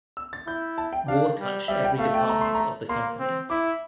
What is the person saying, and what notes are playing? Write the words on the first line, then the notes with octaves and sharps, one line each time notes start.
War touched every department of the company.
E6
A6
E4 G6
A5
G5
D4 F5
G3
G3 E5
G5
A3 F5
G5
A#5
C6
A#5
A#3 C6
C4
E4 D6